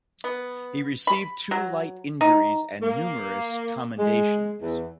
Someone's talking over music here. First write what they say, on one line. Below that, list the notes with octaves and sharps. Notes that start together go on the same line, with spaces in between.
He received two light injuries and numerous commendations.
B3
B5
F#3
D#4
A#3
G#3
E2